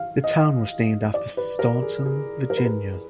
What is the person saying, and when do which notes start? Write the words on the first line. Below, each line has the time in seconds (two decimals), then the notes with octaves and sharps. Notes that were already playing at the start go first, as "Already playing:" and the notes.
The town was named after Staunton, Virginia.
Already playing: F5
0.24 D#5
1.14 D5
1.37 B4
1.59 A#4
1.82 G#4
2.06 G#4
2.50 A#4
2.57 B4
2.66 A#4